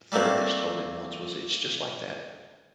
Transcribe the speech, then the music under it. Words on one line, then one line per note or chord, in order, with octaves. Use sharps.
therapist told me once was it's just like that,
G3 A3 A#3 C4